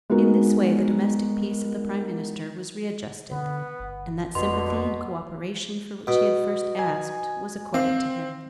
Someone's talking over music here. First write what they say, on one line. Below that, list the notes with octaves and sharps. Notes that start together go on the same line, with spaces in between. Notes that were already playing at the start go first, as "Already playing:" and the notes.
In this way the domestic peace of the Prime Minister was readjusted, and that sympathy and co-operation for which he had first asked was accorded to him.
G#3 B3 D#4 F#4 A#4
D3 B3
G1
F2 B2 D3 C6
B2
G#5
C4 F5